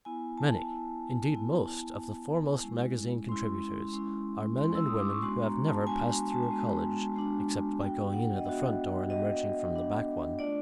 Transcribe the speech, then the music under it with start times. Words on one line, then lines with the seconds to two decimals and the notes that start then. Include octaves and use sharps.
Many, indeed most, of the foremost magazine contributors are men and women who have never passed through a college except by going in at the front door and emerging from the back one.
0.05 B3 E4 G#5
0.38 A5
0.71 B3 E4
1.35 B3 E4
2.00 B3 E4
2.63 G#3 C#4 E4
3.29 G#3 C#4 E4 C6
3.93 G#3 C#4 E4
4.57 G#3 C#4 E4 C6
4.75 E6
4.87 D#6
4.99 D6
5.10 C#6
5.22 G#3 B3 D4 F#4 C6
5.43 A#5
5.66 A5
5.86 G#3 B3 D4 F#4 G#5
6.19 G#5
6.31 A5
6.43 G#5
6.51 G#3 B3 D4 F#4
7.16 G#3 B3 D4 F#4
7.80 B3 D4 F#4 G5
8.13 F#5
8.36 D#5
8.45 B3 D4 F#4 E5
9.10 B3 D4 F#4 D#5
9.74 B3 D4 F#4
10.39 A3 D4 F4 D5